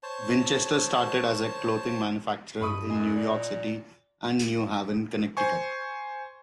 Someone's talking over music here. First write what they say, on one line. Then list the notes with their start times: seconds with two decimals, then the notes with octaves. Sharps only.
Winchester started as a clothing manufacturer in New York City and New Haven, Connecticut.
0.03 C5 C#5 A5
2.61 G2 B5 C#6 D#6 D#7
2.89 F#2 D#5 G#5 C6
3.15 A#2
5.37 C5 G#5 C#6